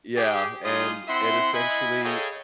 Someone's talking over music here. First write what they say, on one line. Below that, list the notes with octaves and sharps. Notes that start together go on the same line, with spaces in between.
Yeah, and it essentially, u
G4 G#4
G3 D#4 F4 G#4 C6 D#6
C4 E4 E5 F#5 C6
E4 D#5 F#5 G#5 B5
G#4 A4 C#5 D#5 F5 G5